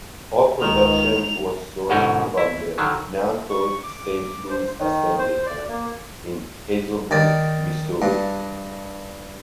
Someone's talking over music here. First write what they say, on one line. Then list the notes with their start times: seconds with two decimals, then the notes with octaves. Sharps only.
All production was sourced from the now-closed Saint Louis Assembly Plant in Hazelwood, Missouri.
0.62 C#2 D#3 G#3 D#4 F7
1.89 G1 G#2 B2 C#4 D#4 A#4
2.38 E4
2.78 D3 D#3 F#3
3.50 C#6
3.84 D6
4.50 C5
4.79 D#3
5.19 C5
5.46 D5
5.69 A#3
7.11 D#3 D5
8.02 G2